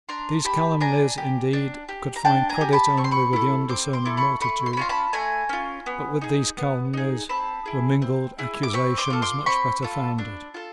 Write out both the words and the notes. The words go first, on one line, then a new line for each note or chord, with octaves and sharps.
These calumnies, indeed, could find credit only with the undiscerning multitude; but with these calumnies were mingled accusations much better founded.
D4 A#5 C6
G4 A5 B5
D4 G#5 A#5
G4
D4
G4
A#5
D4 G5 A5
G#5 A#5
G4
A5 B5
C4 C#6
C6
B5 C#6
E4 A4
C4 C6 D6
C6 D6
E4 A4
B5 C#6
A3 B5 C#6
C6
B5
C#4 F4 A#5 C6
A5 B5
A3 G#5 A#5
C#4 F4
B3
D#4 G#4
B3
D#4 G#4
C4 A5 B5
E4 G#4
C4
E4 G#4
D6
C4 B5 C#6
C6 D6
F4 A4
C6 D6
C4 B5 C#6
F4 A4
D4
F4 A4